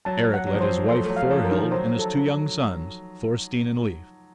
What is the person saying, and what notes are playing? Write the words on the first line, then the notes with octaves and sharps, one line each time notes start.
Eric led his wife Thorhild and his two young sons, Thorstein and Leif.
F#3 A5
F#5
F#3
F3
F#3 C5
A3 C6
A3
F#3
F5
F3
A#4
D#3
F#3 C5
A4